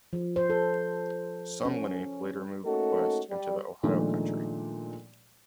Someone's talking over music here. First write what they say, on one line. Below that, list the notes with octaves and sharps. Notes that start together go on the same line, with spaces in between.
Some Lenape later moved west into the Ohio Country.
F3
C5
A4
C#4
A3 A#3 C#4 D#4 F#4 A4
G3
A#2 D#3 F3 G#3 A3 D4